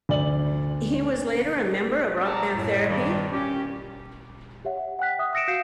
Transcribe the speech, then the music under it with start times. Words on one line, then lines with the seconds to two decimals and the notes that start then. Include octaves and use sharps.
He was later a member of rock band Therapy?
0.09 D2 D5 F#7
2.26 A#4 C#5 D5 E5 A5 A#5
2.54 F#2 A2
2.88 G2 D#3 G3
3.32 C#4 G4
4.65 G4 C#5 E5 F#5
4.77 F#5
4.99 F#5 G5 F#6 B6
5.19 E5 D#6
5.33 D#6 E6 A#6 C#7 D7 E7
5.48 F#4 F5 G6 C7 C#7 E7